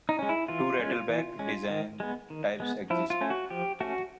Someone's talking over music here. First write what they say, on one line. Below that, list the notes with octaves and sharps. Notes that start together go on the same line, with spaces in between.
Two rattleback design types exist.
D#4
G#3 C#4
E4
E3 F4
G#3 C#4
E3
G#3 C#4
D#3
G#3 B3
D#3
G#3 B3
F3 E4
F4
A3 C#4
F#4
F3 G4
A3 C#4 F#4